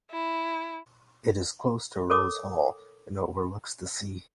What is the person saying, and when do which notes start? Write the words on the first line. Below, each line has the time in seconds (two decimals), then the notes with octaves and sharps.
It is close to Rose Hall and overlooks the sea.
0.11 E4
2.10 A4 A#4 C#5 D6 D#6